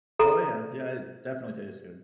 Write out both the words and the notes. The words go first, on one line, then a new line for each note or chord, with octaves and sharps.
Oh yeah, yeah, it definitely tastes good.
A4 A#5